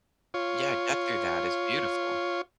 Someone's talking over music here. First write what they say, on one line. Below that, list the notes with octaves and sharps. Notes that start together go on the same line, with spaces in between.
Yeah, get through that is beautiful.
F4 C#5